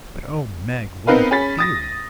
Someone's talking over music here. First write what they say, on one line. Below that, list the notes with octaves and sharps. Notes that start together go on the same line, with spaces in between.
"But oh, Meg, what a theory!"
B3 C4 D#4 A#4 B4 F5
C#4 G#4 B5 A6 B6
D#6 A6 A#6